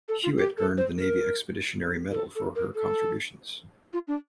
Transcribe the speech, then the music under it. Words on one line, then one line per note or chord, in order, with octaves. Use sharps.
"Hewitt" earned the Navy Expeditionary Medal for her contributions.
A4
F4
G4
A4
C5
A#4
A#4
A4
A4
A#4
A4
F4
D4